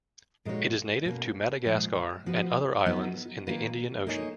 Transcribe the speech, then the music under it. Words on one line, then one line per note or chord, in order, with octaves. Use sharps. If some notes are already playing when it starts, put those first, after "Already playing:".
It is native to Madagascar and other islands in the Indian Ocean.
A#2 G#3 D#4 F#4 C#5
B2 A#3 C#4
A#2 F3 G#3
F3 B3 F#4 B4
F#3 B3 D#4
D#3 A#3 F4 B4
A#3 D#4 G#4 C#5